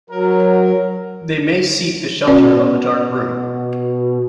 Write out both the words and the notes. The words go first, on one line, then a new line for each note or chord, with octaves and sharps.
They may seek the shelter of a dark room.
F#3 A#4
B2 C#4 D5